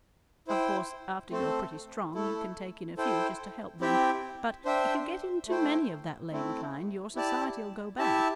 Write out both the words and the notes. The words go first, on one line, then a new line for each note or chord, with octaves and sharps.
Of course after you're pretty strong you can take in a few just to help them; but, if you get in too many of that lame kind, your society'll go bad.
E4 C5 G5
A3 C4 A4 C5
A3 E4 A4
E4 A4 C5 G5
C4 E4 G4 E5 G5
D4 C5 E5 G5
A3 E4 C5 G5
A3 C4 E4
E4 G4 D5 A5
E4 G4 E5 A5